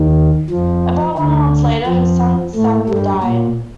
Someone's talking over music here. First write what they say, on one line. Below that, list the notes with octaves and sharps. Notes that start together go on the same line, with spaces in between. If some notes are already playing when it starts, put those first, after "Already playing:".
About one month later, her son Samuel died.
Already playing: D#2 D#3
F2 F3
D2 D3
F2 F3
A2 A3
G2 G3
A#2